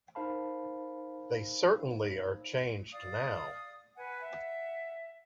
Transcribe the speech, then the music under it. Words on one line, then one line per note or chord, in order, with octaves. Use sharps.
They certainly are changed now.
D#4 A#4 C5 F5 A5 B5
D5 F5 D#6
B4 F#5 G#5
E5 F#5